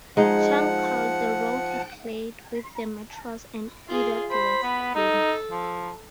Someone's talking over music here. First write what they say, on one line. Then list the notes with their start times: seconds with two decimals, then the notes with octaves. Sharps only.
Chung called the role he played with the Metros an "idiot left wing".
0.17 F3 G#3 D#4 F#5
3.88 F4 G#4
4.31 C5 B5
4.63 B3
4.95 D#4 A4
5.51 F3